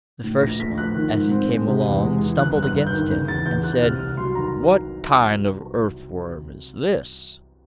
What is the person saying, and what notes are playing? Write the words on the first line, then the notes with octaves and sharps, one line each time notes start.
The first one, as he came along, stumbled against him, and said: 'What kind of earthworm is this?'
A2
A#1 A#6
A3 B6
F3 F#6
D#3
G#2
C4
G#3
C3
E2
G#3
E3
G2 F#6
G1
F#6
G1
G6
D#3
C#3
E2 A6
E2 G6
E3 F#6
C3 F6
C2 F6
F#3 C6
D#3 A#5